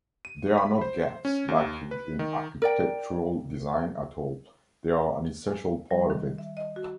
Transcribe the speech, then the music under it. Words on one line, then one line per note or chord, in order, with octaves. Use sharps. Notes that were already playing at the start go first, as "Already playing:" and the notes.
They are not gaps lacking in architectural design at all, they are an essential part of it.
D#7
B5
C5
C#4
D#2
B4
D#3
A#4 D5 G5
G#5
G3
D#3
E5
D#5
F#4